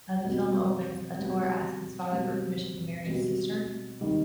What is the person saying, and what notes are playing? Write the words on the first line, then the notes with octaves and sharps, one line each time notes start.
As the film opens Ator asks his father for permission to marry his sister.
B2 G3 C4
B2 G3 C4
B2 G3 C4
B2 G3 C4
C3 D#3 G3